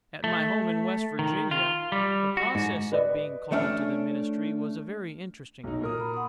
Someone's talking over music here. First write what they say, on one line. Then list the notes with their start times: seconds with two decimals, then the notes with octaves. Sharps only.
At my home in West Virginia the process of being called to the ministry was a very interesting one.
0.24 A3
1.19 D#3
1.51 F4
1.92 G3
2.37 F#4
2.55 G#2
2.92 B4 D5 D#5
3.52 A3 C#4 D4 E5 F6
5.64 B1 D#4
5.81 A#2 A#4 D#6
5.98 A#5 B5
6.14 F#5 C6 D#6